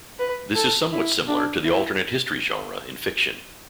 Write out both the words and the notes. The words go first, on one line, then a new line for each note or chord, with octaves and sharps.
This is somewhat similar to the alternate history genre in fiction.
B4
A4
E4
D4
E4